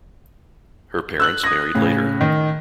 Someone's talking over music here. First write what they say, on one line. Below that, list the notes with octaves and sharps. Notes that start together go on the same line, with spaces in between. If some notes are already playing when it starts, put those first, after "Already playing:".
Her parents married later.
E6 F#6 F#7
D#6 G#6 A#6
A2 C#3
D#3